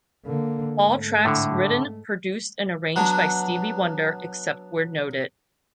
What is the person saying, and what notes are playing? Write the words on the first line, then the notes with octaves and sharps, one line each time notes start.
All tracks written, produced and arranged by Stevie Wonder, except where noted.
D3 A#3
G#2 A3
A2 D3
F#3 B3 D4